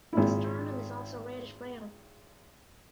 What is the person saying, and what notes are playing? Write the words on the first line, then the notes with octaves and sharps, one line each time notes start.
The sternum is also reddish brown.
G#1 A#2 E4